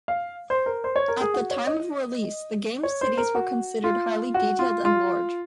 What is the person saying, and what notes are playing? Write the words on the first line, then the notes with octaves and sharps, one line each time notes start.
At the time of release, the game's cities were considered highly detailed and large.
F5
C5
A#4
C5
C#5
A#4
G#4
F#4
C#5
D#5
C#5
C5
A#4
F#4
F4
F#4
F4
F4